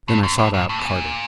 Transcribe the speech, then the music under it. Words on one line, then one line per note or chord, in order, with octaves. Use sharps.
Then I sought out Carter.
G2
F#2
G2
G#2
A2
B2
A#2